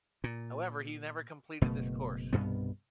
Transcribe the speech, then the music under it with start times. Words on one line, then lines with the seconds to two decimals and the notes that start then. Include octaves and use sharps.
However, he never completed this course.
0.24 A#2
1.61 F#1 B2 A3
2.33 C2 G2 B2 B3